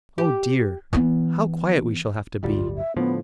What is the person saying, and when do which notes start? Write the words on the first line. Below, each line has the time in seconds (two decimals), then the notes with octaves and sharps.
Oh dear, how quiet we shall have to be!
0.18 G4
0.93 E3 B3
2.43 D1 G1 G3 F4
2.76 E5
2.97 A2 D3 F3 B3